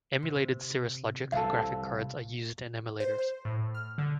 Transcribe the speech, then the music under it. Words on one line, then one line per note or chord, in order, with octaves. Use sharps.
Emulated Cirrus Logic graphic cards are used in emulators.
C3
C2 A4 F5
C5
C5
A2
F6
D3